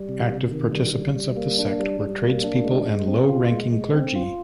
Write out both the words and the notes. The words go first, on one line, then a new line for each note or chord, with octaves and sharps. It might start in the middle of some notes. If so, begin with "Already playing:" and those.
Active participants of the sect were tradespeople and low-ranking clergy.
Already playing: G3
C3
C3
D#3
G3
G3
G3
A#3
D4
G3
G3
A#3
D4
G#3
G#3
C4
F4
G#3
G#3
C4
F4